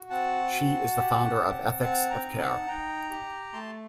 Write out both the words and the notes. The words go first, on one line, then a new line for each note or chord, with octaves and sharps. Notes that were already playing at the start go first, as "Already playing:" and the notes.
She is the founder of ethics of care.
Already playing: F#4
C4 F#5 A5
F#4
G4
C4
C4 F#5 A5
G5 A#5
D#4
F#5 A5
D#4 G5 A#5
G4
A3 A5 C6